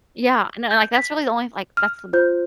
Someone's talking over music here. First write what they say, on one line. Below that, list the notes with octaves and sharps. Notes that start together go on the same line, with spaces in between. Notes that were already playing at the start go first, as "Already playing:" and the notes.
Yeah, and then, like, that's really the only, like that's
G6
B6
F6
F4 C5 G6